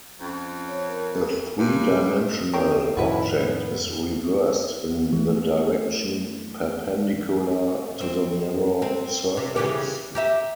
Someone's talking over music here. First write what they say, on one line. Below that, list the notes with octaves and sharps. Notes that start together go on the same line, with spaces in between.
A three-dimensional object is reversed in the direction perpendicular to the mirror surface.
F2 C#4
C5 C#5
A#4
G2
A#3 G4 C#5 G5
F2 A2 D#3 E4 F#4 B4
B3
E3 A3
C4
C4
C3
C#3 E3 G4
G4 A#4 E5